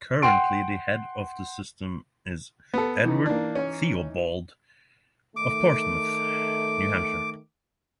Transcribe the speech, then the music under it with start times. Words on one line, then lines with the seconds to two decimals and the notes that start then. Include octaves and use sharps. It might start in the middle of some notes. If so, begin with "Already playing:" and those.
Currently, the head of the System is Edward Theobald of Portsmouth, New Hampshire.
0.22 F#5 G5 C6 D7
2.74 B3 A4
3.05 E3 D#4
3.26 A#3 D4
3.55 C#4 C#5
5.36 D#3 A3 D6